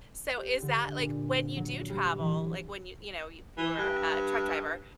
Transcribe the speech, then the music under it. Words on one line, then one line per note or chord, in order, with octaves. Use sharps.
So, is that like when you do travel, like, when you, you know, you if you were a truck driver
G4
D3
A#2
F#3
G3
E3
E3
G2